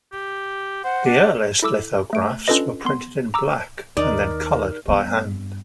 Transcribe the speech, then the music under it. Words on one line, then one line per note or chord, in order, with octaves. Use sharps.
The earliest lithographs were printed in black and then colored by hand.
G4
C5 F#5
D4
E4 A4 D6 E6
A3 D7
C#4 D4 F4 A4 B4 D#5
B3 C6
A#5 D6 E6
D#2 D#4 A#4 D5
G2 B3